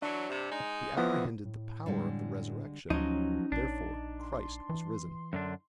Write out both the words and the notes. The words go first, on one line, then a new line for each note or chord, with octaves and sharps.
He apprehended the power of the Resurrection, therefore Christ was risen.
E3 F#3 D4
G2 C3
G#3 D#4
F2 D3 F3 B3 E4 D#5
A2
D3 G3 G#3
D2 F3 F#3 C#4 D#4
A#1 D4
C6
E3
F#2 D3 D4